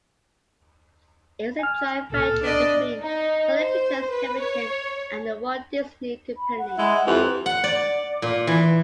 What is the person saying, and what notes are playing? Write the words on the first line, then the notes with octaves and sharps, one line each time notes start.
It is a joint venture between Sony Pictures Television and The Walt Disney Company.
G#5 F6
C#2 A#2 A4 F6
B3 D4 D5 D#5
D#4
C5
B4
C#5
B5
F#5
G#3 E4
F2 E3 G4
F#5
D5
A#2
E3